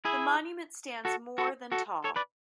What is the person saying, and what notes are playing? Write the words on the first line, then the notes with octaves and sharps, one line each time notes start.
The monument stands more than tall.
E4 G#4
F#4 A4
F#4 A4
F#4 A4
A4 C#5
B4 D5